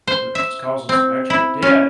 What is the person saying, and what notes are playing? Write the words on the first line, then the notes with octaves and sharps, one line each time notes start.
So, this is causing some extra debt,
C5
E5
C4
E4
C#4